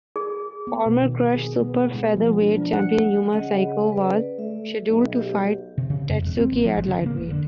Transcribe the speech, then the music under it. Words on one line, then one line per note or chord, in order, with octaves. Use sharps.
Former Krush Super Featherweight champion Yuma Saikyo was scheduled to fight Tatsuki at lightweight.
G#4
B3
B2
D#3
G#4
B3
B3
G#3
F3
D4
D4
F#5
C#3 D#5 F#5
B4 D5
A3 E5
B1
G4
C3
C#3
F2
E1
C4
A1
F3
G#1
C#3
A#3
F1
D3